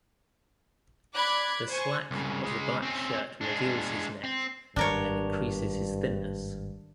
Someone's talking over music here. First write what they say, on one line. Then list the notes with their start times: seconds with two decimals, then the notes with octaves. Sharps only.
The slack of the black shirt reveals his neck and increases his thinness"".
1.13 D5 B5 D6 F#6 G#6
1.69 C5 G#5 C#6
2.11 C2 C#3
2.43 C#3 G#3
2.82 C4 C#4
3.41 G#3 D4
4.24 C4
4.76 G#1 G2 D4 A#4 C#5